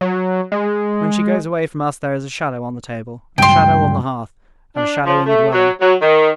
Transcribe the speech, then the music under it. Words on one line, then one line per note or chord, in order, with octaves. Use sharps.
When she goes away from us there is a shadow on the table, a shadow on the hearth, and a shadow in the dwelling.
F#3
G#3
C#2 G2 F#3 G5 C6
D4
F3
A3
F#3
F#3
D#3